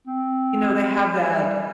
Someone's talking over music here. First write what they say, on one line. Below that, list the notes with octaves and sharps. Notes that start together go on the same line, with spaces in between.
you know, they have that, uh,
C4
G3